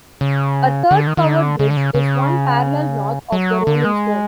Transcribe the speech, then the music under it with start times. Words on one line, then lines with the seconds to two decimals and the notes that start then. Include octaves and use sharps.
A third covered bridge is one parallel north of the Rolling Stone.
0.21 C#3
0.91 D3
1.07 D#3
1.17 D#3
1.25 D3
1.59 C#3
1.70 D3
1.77 C#3
1.94 C#3
3.32 F#3
3.67 D3
3.85 G#3